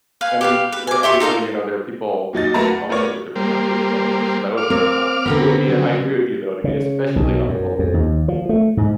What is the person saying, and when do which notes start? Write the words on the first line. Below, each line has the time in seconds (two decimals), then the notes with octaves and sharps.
I mean, there obviously, you know, there are people who speak all sorts of different languages all over, so that would be helpful. It would be I agree with you, though, it'd be especially helpful.
0.21 B4 F5 G#5
0.41 G4 B4 F5
0.72 B4
0.87 G#5 D6
1.03 G4 E5 C6 C#6
1.20 D#4 A4 A#4 F5
2.33 A#2 F#3 D#4 A6
2.54 F#3 A3 A#3 B4 A5 A#5
2.70 F#5
2.89 A3 B3 F4 A#4 C#5 D5
3.36 G3 A#3 C5
4.58 F5 D6 F6
4.70 C4 A#4 C#5
5.26 D3 B3 C4 A#4 B4
5.68 C#3 F#3
6.64 C#3
7.16 B1
7.48 F#2
7.79 F2
7.94 D#2
8.28 F3
8.49 A3
8.77 G#2